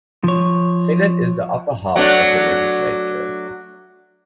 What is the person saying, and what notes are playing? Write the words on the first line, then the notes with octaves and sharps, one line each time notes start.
The Senate is the upper house of the Legislature.
F3 C#5
F#3 A3 D4